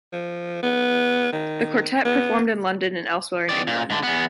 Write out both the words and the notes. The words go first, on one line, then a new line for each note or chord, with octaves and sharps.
The quartet performed in London and elsewhere in England.
F3
B3
D#3
B3
D#3 D5
A#2
G#2 D3
E2 B3